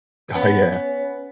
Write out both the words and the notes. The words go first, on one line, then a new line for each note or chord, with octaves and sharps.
Oh, yeah.
B3 C#4